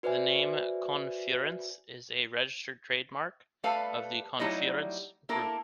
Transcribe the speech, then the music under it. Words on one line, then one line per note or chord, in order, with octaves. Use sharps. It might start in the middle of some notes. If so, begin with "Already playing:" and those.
The name ConFurence is a registered trademark of the ConFurence Group.
F#4 B4 C5 D5 E5 G#5
G3 A3 A4 B4 F5 A5
F#3 G3 A3 D#4 E4 D#5
A#3 E4 A4 A#4